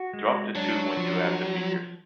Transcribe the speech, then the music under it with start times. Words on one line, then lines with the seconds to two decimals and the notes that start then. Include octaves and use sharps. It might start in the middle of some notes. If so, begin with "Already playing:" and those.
Drop the two when you add the figures.
Already playing: F#4
0.13 G#3
0.55 F#3 D4
0.97 F3